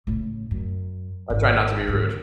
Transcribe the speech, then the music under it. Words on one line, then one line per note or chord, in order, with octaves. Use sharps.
I try not to be rude.
A2 C#3
F#2
G#1
G#1 D3